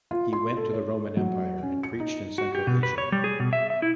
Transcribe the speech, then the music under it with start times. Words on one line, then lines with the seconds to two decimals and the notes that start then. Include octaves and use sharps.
He went to the Roman Empire and preached in Central Asia.
0.11 F4
0.33 C6
0.57 A4
0.73 C#5
1.17 F#3
1.63 C#4
1.83 C#7
2.00 D#4
2.38 F#4
2.55 G4
2.67 B2
2.83 B4
2.98 C#5
3.12 G3
3.24 G#4
3.40 B2
3.53 E5
3.70 E5
3.82 E4